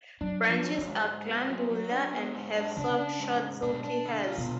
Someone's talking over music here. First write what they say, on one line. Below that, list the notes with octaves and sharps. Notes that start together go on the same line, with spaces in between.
Branches are glandular and have soft short silky hairs.
F#3 D4
D4
F3
F#3
D3
G#2
G#2
B3
F#3
F#3
D4
B3
G#2
D4
C#3 D4
D4
G#2
G#2
B2 D4
D4
D3
F4
B2